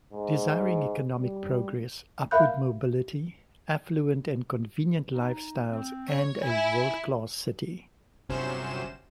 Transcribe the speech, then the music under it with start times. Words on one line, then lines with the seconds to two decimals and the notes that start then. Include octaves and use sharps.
Desiring economic progress, upward mobility, affluent and convenient lifestyles and a 'world-class' city.
0.13 G#2
1.17 G3
2.31 A#4 E5 F5 B5 F#6 G6
5.13 D#4
5.71 C4
6.07 C#5
6.43 E4 G#5
8.29 G1 C3 F#3 C#4 C5 E7